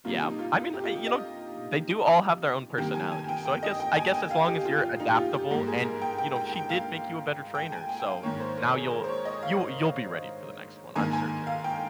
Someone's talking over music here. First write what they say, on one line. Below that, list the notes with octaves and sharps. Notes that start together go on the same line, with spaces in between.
Yeah, I mean, uh, y you know, they do all have their own personalities, so I guess I guess as long as you're adaptable, and you know, she did make you a better trainer, so now you'll you'll you'll be ready for the next one, I'm certain.
C3 G3 A#3 F4
D#4
F4
F4
G4
F4
G4
D#5
C3 D#3 G3 A#3 G5
G#5
G#5
G5
G5
D#5
G5
G#5
G5
F5
G4
F4
F4
D#4
G4
F4
G4
G#2 G3 A#3
G#4
A#4
G5
G5
G5
G5
F5
G5
G#5
G5
G5
F5
G#2 D#3 A#3 C#5
C5
A#4
G#4
A#4
C5
C#5
D#5
F5
G#2 D#3 A#3 G#5
G#5
F5
G5